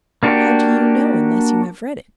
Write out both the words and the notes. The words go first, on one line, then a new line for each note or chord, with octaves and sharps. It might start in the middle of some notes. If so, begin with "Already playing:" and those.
"How do you know, unless you have read it?"
A#3 D4 F#4 G4